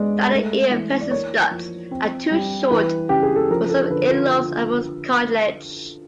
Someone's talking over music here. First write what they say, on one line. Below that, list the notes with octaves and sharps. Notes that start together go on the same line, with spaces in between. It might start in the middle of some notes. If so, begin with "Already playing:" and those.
Standard ear piercing studs are too short for some earlobes and most cartilage.
Already playing: G#3 B3 D5
A3
E3
D5
A#3 C#5
F3
C4
G3
E3 B4
C#3 G4
G#4
A4
F3 A#4
A4
D3 B4
F4